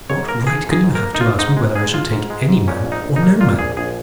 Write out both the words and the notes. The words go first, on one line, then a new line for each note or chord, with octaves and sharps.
What right can you have to ask me whether I shall take any man or no man?
G#2 C#5
A#3 A#4
F3 G#4
G#2
G#4
G#2
A#4
A#3
D#4
G#3 F4
G#2 D#4
G#3
G#2 G#4
G#3 F4
G#2
G#3
G#2
A#2 C#4
A#1
D#4
A#1
D#4
A#3
A#2 F4
A#1 G#4
A#1 G#4